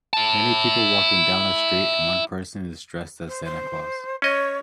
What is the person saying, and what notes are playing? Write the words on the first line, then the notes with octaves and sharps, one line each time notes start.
Many people walking down a street and one person is dressed as Santa Claus.
E4 A5
C5
C5
C#4 C#5 D#5